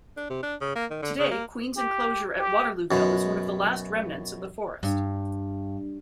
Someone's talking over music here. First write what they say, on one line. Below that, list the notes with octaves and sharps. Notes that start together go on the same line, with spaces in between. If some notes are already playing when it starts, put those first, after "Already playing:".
Today Queens Inclosure at Waterlooville is one of the last remnants of the forest.
D4
C3
D4
C#3
A#3
D#3
D3
C#3
A#3
G4
G4
F#2 B2
G2